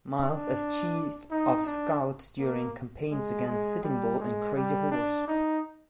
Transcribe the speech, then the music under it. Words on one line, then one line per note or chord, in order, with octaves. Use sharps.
Miles as chief of scouts during campaigns against Sitting Bull and Crazy Horse.
D4
D#4
D4
A#3
G#3
G#3
G3
G#3
G3
D4
D#4